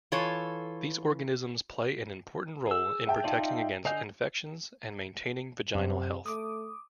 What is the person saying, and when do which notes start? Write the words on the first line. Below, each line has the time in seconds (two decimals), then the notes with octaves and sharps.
These organisms play an important role in protecting against infections and maintaining vaginal health.
0.12 E3 F4 A4 C#5
2.67 G#4 E6
3.07 E5 G5 A5
3.24 D#4 F4 D5
3.85 D3 D#5 G#5 G6 C7 F7
5.75 F#2 C3
6.26 A3 D6 D#6